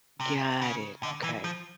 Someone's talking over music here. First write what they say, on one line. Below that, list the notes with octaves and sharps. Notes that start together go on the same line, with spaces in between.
Got it, okay.
C3
C#3
D3
E3
F3